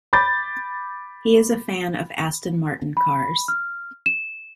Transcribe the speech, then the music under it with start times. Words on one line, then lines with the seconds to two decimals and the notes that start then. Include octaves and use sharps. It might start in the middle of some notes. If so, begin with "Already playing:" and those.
He is a fan of Aston Martin cars.
0.13 B5 D6 G6 A6
2.97 B5
3.48 F6
4.06 E7